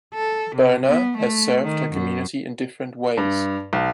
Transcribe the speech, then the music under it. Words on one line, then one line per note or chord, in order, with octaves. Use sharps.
Birna has served her community in different ways.
A4
C3
B3
A3
D#3
F#2
G2
B1